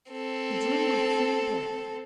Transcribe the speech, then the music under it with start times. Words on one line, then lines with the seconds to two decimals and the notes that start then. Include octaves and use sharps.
He drew a free breath.
0.12 C4 A4